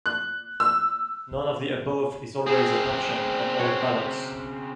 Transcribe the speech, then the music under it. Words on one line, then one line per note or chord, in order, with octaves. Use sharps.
None of the above is always an option on all ballots.
F#6
E6
C#3 C4 G#4
F#4 C#5